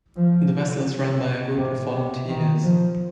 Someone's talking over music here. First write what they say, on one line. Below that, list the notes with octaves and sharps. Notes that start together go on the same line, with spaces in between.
The vessel is run by a group of volunteers.
F3
C3
C3
D#3
F3